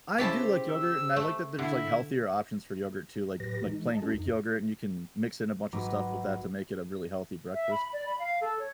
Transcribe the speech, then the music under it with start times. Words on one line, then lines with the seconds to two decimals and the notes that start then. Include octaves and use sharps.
I do like yogurt, and I like that there's, like, healthier options for yogurt too, like like plain Greek yogurt, and you can mix in a bunch of stuff with that to make it a really healthy breakfast.
0.18 C#3 E4 G4 C5 A5
0.70 E6
1.16 A3
1.59 D3 E4
3.40 A2 F#3 G4 B4 A#6
3.64 E3 G#3 D#4
3.88 D#5 A5
4.02 G3 C#4 D4 F#4 A4
4.14 F2 D#4
5.72 G#1 F#3 B4 A#5 D6
7.54 E5
7.71 B5
7.93 D5
8.06 B5
8.19 F5
8.41 A4
8.59 C#5